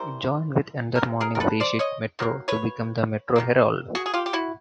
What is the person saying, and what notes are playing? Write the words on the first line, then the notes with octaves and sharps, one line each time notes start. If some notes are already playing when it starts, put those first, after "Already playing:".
It joined with another morning freesheet "Metro" to become the "Metro Herald".
Already playing: C3 E3 G3 A#4 C5
A#4
C3 D#3
G#4 A#4
A#4
A4 B4
C5 D5
C#5 D#5
D#3 F#3 A#3
B4 C#5
D#3 F#3 A#3
F#4 G#4
G#4
F4 G4
G4
E4 F#4